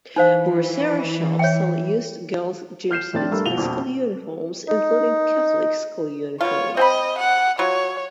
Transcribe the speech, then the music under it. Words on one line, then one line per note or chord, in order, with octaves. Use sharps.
Burusera shops sell used girls' gym suits and school uniforms, including Catholic school uniforms.
E3 D#4 C5 F5
C#5 E5 G5
F6 G6 C7 E7
F2 A2 A3 C4 D4 A6
G2 A3 A#4 E6
B2 F5 F7 G7
A#1 F2 B2
D#4
B2 F4 C#5
C4 D#5 G5 B5
F#5
F#3 F4 C#5